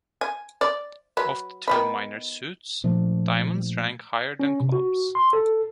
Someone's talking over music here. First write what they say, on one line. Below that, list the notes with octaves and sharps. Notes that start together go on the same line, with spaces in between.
Of the two minor suits, diamonds rank higher than clubs.
G#5
D5
F#3 B4
D#3 B3 B5
A#2 F3 A3 D4
C#4
C3
F#4
C6
A4